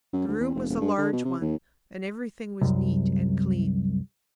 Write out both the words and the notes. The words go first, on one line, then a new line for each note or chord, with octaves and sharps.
The room was a large one and everything was neat and clean.
F#2
D2
E2
F1
E1
G2
D3
B2
C3
D#2
C2 F#2